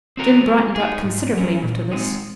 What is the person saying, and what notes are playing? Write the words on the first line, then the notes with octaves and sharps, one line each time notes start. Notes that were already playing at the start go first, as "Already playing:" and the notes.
Jim brightened up considerably after this.
C4 F#4 A#4
G#3
D#4 G#4
G#2
F#3 C#4
A#2
G#3 C4 D#4